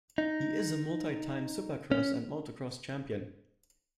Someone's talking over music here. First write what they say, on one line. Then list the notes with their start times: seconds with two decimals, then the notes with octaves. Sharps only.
He is a multi-time supercross and motocross champion.
0.18 D#4
1.92 C#4